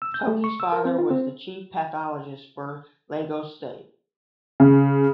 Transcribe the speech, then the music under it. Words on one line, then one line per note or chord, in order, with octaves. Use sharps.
Toki’s father was the chief pathologist for Lagos state.
E6
G6
A3
C#6
E6
A#4
C4
F4
C4
C#3